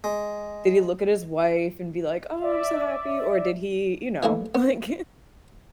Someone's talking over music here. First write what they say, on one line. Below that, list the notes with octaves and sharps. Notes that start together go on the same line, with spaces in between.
Did he look at his wife, and be like, "Oh, I'm so happy," or did he, you know, like
G#3
D5 E5
E3 A3 A#3 E4
B3